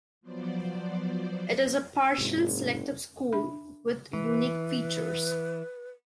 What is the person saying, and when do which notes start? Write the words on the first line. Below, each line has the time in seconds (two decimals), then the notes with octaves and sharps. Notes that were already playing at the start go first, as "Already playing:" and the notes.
It is a partial selective school with unique features.
0.21 F3 F#3 B3 C5 D5
2.18 F#1 G#2 C3
3.33 D4 E5 B5
4.13 E3 B4